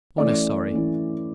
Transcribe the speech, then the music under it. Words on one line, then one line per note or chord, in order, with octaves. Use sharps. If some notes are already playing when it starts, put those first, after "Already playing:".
One is sorry.
E3 A3 C#4 D5
E3 A3 C#4